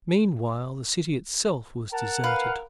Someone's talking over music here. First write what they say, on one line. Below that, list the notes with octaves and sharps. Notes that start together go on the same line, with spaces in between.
Meanwhile, the city itself was deserted.
A#4 F#5 A5
B4 F5